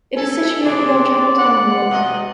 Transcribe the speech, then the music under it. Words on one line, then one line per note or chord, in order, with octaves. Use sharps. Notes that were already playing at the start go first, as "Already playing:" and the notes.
It is situated on Chapeltown Road.
A4 G#5
C3 G#3 D4 D5
F#5
B2 D#5